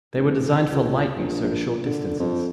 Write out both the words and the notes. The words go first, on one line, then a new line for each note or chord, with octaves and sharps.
They were designed for light use over short distances.
F1
C#2
A#1
A#1
A#2
D3
F2